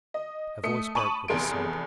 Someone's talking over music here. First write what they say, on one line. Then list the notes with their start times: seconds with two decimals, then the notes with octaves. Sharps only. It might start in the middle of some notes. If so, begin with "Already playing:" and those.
Her voice broke with a sob.
0.14 D#5
0.63 A3 D#6 C#7
0.95 A5 B5 C#6 D#6 D#7 F#7
1.28 F1 E2 G#4 A4 C6 D7